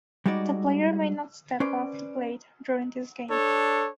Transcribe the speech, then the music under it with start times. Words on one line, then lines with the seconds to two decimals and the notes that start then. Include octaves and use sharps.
The player may not step off the plate during this game.
0.26 G3 G#3 D#4 F#4 D5
1.60 C#4 B4 C5 D5
3.29 D4 A4 C#5